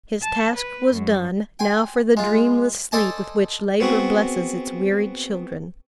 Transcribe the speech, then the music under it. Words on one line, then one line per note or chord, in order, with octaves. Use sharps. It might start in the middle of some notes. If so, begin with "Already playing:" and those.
His task was done; now for the dreamless sleep with which labor blesses its wearied children!
A5
B4
F#2
G5 G#5 C6
G#3 F4
A4 C5 D5 D#5 G#5 A5
B3 C4 F#4 G#4